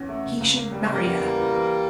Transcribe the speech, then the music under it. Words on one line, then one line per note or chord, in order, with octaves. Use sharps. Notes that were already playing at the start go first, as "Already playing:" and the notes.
He should marry her.
Already playing: E2 E3 C#4
A3
C#3
C#2
A#3
G3
C#3 G3 A#3
E2
E2
E3
E3